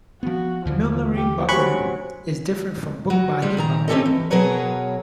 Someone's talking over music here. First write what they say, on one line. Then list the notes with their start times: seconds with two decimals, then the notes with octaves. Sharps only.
Millinery buckram is different from bookbinding buckram.
0.23 F3 B3 F#4
0.65 D#2 D3 E3 F3
1.15 G4
1.49 F#3 G4 C5 G#5 B5 C#6 F#6
3.10 F#3 F#4
3.42 G3 G#3
3.57 A#2 D#3 A#5
3.88 C4 C#4 G4 A4 C#5 D#5
4.06 E3
4.30 B2 F#3 G#4 A#4 B4 C#5